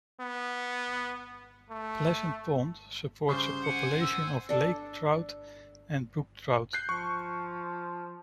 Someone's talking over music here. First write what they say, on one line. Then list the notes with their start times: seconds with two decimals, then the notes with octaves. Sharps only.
Pleasant Pond supports a population of lake trout and brook trout.
0.20 B3
1.70 A3
3.29 C#3 G3 C5 C6
3.64 F#5 G#5 C#7
4.01 E6
4.49 D4 A4
6.73 F#6 G6 C7
6.89 F3 C#6